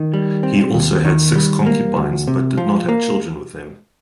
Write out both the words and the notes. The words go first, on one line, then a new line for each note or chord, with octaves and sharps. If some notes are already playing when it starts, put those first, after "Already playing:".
He also had six concubines but did not have children with them.
Already playing: D#3
G3
C4
D#2
D#3
G3
A#3
D2
C3
F3
A#3